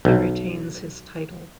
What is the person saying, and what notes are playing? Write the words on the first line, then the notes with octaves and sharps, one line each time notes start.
He retains his title.
B1